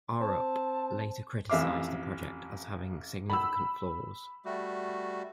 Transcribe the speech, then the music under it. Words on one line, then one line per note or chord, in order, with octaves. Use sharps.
Arup later criticised the project as having significant flaws.
C4 A5
A1 F2 E5 F5 D6
B5 E6
G3 A3 F#4